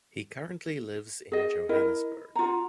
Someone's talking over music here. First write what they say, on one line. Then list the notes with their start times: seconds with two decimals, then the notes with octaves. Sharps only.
He currently lives in Johannesburg.
1.32 G#4 D#5
1.69 E4 A#4 D#5
2.35 F4 F#5 A#5